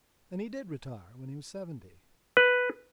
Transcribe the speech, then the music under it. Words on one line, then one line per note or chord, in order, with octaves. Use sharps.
And he did retire when he was seventy.
B4